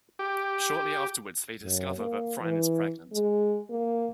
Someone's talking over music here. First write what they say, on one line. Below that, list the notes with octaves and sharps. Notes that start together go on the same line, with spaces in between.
Shortly afterwards they discover that Fran is pregnant.
G4
F#2
A#3
E3
G#3
A#3